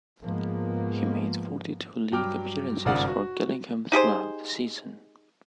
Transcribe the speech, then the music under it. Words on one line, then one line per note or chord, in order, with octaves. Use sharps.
He made forty-two league appearances for Gillingham throughout the season.
G#2 F3 G#3 A#3 B3
G2 F#3 G5 D6 F6
G#1 G2 C#3 F4 D5 F#5
F#4
D#4 G4 G#4 C5